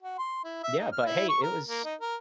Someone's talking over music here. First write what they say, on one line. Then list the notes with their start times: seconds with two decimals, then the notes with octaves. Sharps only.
Yeah, but, hey, it was
0.03 F#4
0.19 C6
0.44 E4
0.64 E5
0.79 D#4
0.92 F6
1.06 E4
1.29 C#6
1.43 A#4
1.68 A#3
1.85 D#4
2.01 A#4